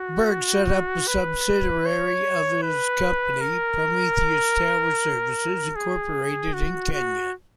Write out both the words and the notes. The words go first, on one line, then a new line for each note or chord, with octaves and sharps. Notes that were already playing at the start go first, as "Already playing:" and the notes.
Berg set up a subsidiary of his company, Prometheus Tower Services, Incorporated in Kenya.
Already playing: F#4
B4
C#5
B4
A#4
G#4
F#4
F#4